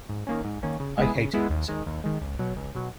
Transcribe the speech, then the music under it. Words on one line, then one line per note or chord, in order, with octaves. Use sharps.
I hated myself.
G#2
D#3 A#3 C#4
G#2
D#3 A#3 C#4
C#3
G#3 B3 E4 G#4
C#3
G#3 B3 E4 G#4
D#2
D#3 G#3
D#2
D#3 G#3
C#2
B2 F#3
C#2
B2 F#3